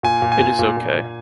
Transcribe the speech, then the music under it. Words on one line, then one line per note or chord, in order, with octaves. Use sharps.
It is okay...
A#2 G#5
A#2
G#5
A#2
A#2
A#2
A#2